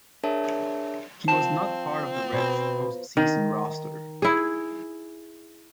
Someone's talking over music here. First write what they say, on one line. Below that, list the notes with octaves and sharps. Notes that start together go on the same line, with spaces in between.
He was not part of the Reds' post-season roster.
D4 G#4 A#4 C#5 E5 A5
F3 C4 D5 A5 E7
B2 C5 A#5
D#3
E4 G#4